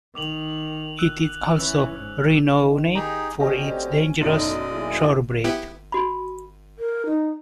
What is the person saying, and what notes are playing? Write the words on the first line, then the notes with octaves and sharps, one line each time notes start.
It is also renowned for its dangerous shorebreak.
D#3 D6 F7 F#7
E6 F#6
E3 C#4 E6
G#2
D#3
D#4 G4 G#4 A#5
D2 D3 C4 C#4 G4 D#5
B1 F#2 A2 D#4 D5 D#5 F#7
A#3 E4 G#4
B3 E4 G4
F#4 B5
A#4
D#4